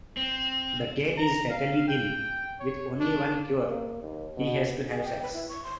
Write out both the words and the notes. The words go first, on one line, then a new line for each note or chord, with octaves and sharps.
The Cat is fatally ill, with only one cure: he has to have sex.
C4
A#5
F5
G5
C#5
D4
A#3
D#2
B2
G#4
G5
B4
E4
C#6
C6